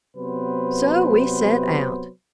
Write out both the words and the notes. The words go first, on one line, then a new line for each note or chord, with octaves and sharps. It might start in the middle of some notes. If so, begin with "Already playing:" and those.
So we set out.
C3 F#3 B3 B4 C5